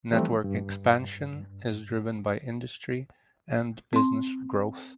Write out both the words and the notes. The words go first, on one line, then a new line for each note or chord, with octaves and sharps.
Network expansion is driven by industry and business growth.
E3 F3 G3 A3 C4
G2
C4 C6